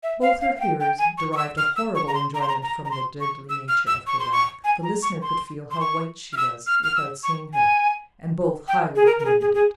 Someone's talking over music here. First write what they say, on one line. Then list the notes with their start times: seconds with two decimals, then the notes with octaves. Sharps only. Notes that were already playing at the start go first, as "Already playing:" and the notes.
Both her hearers derived a horrible enjoyment from the deadly nature of her wrath--the listener could feel how white she was, without seeing her--and both highly commended it.
0.03 E5
0.22 F5
0.41 F5
0.56 F5
0.60 G5
0.80 G5
0.99 G#5
1.18 C#6
1.33 C#6
1.37 E6
1.57 F6
1.76 E6
1.95 C#6
2.08 A#5
2.14 C6
2.34 A#5
2.42 C6
2.48 A#5
2.63 A#5
2.85 A#5
2.91 C6
3.20 C#6
3.49 E6
3.68 F6
3.87 E6
4.07 C#6
4.20 C6
4.32 C#6
4.64 G#5
4.83 A#5
5.03 C#6
5.22 C6
5.71 C6
5.80 C#6
6.33 F6
6.37 E6
6.67 F6
6.83 F6
6.96 E6
7.23 C#6
7.53 G#5
8.68 G5
8.96 G#4
9.06 A#4
9.19 A#4
9.25 G#4
9.41 G#4
9.54 G#4